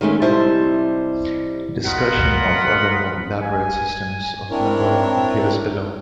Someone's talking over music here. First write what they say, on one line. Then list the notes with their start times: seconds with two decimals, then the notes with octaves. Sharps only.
Discussion of other more elaborate systems of number appears below.
0.01 D#3 G#3 A3 C#4
0.22 C3 G3 E4 C5 D#5 A5
1.86 F4 A#4 D#5 F#5 B5
3.43 G#5
4.50 C4 D4 E4 A#4 C#5